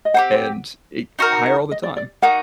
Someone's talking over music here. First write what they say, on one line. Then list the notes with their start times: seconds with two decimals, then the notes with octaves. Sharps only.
and it higher all the time.
0.05 D#5
0.14 C4 D#4 G4 F#5
1.19 D#4 F#4 A#4
1.71 D#5
1.83 D5
1.96 D5
2.22 A#3 D#4 F#4 F#5